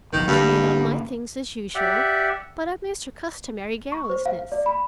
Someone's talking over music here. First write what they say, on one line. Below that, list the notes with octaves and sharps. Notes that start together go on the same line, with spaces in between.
She laid out my things as usual, but I missed her customary garrulousness.
G1 C2 D#3 F3
G#1 G2 D3 A#3
G4 D5 E5 F#5
C#6
C5
F5
D5
B5